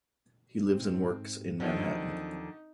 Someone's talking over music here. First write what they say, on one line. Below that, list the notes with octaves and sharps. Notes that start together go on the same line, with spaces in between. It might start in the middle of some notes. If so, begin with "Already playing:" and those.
He lives and works in Manhattan.
G#2 C4
D#2 D3 D#3 F3 F#3 C4 D4 D#4